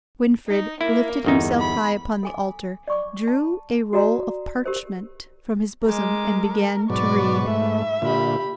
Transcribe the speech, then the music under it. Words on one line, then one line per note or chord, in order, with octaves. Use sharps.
Winfried lifted himself high upon the altar, drew a roll of parchment from his bosom, and began to read.
D#4
A#3 E4
G1 E2 D#4
B5
A4 G#5 D6
D5 C#6 D6
A5
F#4 A4 D5 A#5
G4 A#4 C5
G#3 A#4 D6
G#2 B2 F#3 B4 D5 C#6
G#2 A3 E5
A#2 D3 F4 G4 B5